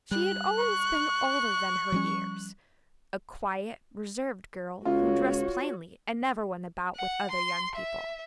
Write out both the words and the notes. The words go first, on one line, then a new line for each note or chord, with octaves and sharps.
She had always been older than her years--a quiet, reserved girl who dressed plainly and never went about with other young people.
G3 F#6
C#6
F3 G3 C#4
C#2 F4 F#4 C#5
F#5
C6
E5